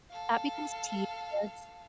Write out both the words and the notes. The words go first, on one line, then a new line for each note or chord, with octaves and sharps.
that becomes tedious.
A4 F5